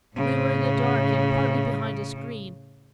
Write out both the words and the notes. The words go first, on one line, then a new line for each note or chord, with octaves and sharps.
We were in the dark and partly behind a screen.
A2 C#3